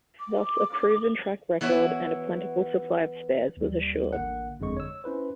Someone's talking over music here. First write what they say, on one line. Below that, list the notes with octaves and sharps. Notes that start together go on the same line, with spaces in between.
Thus a proven track record and a plentiful supply of spares was assured.
D6
E3 B3 F#4 C#5 E5
D#2 G3
A1 D3 A#3 F#5
G1 F2 D3 G#3 C#6
C#5 E6
C#4 E4 B4 C5